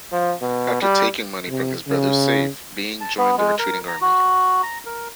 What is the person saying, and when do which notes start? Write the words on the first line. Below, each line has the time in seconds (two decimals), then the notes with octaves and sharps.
After taking money from his brother's safe, Bean joined the retreating army.
0.12 F3
0.42 B2
0.82 G3
1.48 C3
1.88 C#3
3.01 A5
3.18 B3
3.37 G#3
3.59 A#4
3.88 A#5
4.01 F#4
4.63 A#5
4.86 A#4